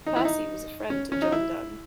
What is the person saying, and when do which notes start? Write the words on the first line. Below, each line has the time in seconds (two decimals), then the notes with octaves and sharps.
Percy was a friend to John Donne.
0.06 D#4
0.16 E4
0.25 D#4
0.90 C#4
1.12 C#4
1.22 D#4
1.32 E4